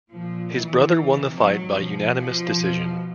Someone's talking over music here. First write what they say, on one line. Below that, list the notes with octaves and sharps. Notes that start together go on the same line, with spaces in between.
His brother won the fight by unanimous decision.
A#2 F3
E3
C3 D#3
F#3
B2 F3
F3
B2